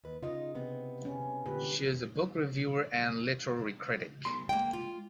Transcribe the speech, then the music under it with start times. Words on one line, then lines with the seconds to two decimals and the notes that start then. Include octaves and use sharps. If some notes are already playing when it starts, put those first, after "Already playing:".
She is a book reviewer and literary critic.
0.04 D#2 B4
0.23 C#3 D#4 F4 D#5
0.55 C3 B3
1.05 C#4
1.46 A#2 D3 G4 B4
4.25 B1 C6
4.49 G#3 A#3 G5
4.73 F4